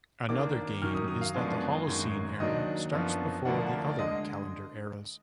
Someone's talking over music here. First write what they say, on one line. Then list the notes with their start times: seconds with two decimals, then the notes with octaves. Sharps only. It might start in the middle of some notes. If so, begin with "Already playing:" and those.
Another gain is that the Holocene Era starts before the other calendar eras.
0.29 D#2 D#3 A#3 D4 D6
0.82 F#2 D#3 F#3 F6
0.95 D#6
1.08 D#6
1.21 F5
1.34 F#2 F3 G#3 B3 D4
1.87 F#2 D#3 G#3
2.40 D#2 D#3 F#3 D4 D#5
2.92 F#2 F3 B3 D4
3.45 D2 D3 F3 A#3 D4 F#5
3.91 D5
3.99 D3 G#3 D#5